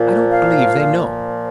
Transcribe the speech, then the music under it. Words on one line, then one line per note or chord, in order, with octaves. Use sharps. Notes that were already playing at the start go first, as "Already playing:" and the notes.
I don't believe they know.
Already playing: A#2 F3
F5
A#2 F3